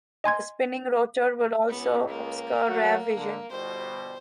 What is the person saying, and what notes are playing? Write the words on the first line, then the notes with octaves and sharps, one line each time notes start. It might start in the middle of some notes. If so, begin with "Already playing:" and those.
The spinning rotor would also obscure rear vision.
D#5 G#5 C6 G#6
C#2 B3
A#3
F#3 F#4 F#5
D3
G1 B2 G3 C5